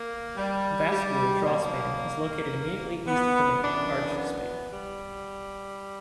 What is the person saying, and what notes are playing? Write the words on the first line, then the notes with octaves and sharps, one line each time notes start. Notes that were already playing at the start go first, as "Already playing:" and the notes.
The bascule draw span is located immediately east of the main, arched span.
Already playing: A#3
G3
G3
B2 F#3 A#3
B3
F#2 E3 D4
B3
G3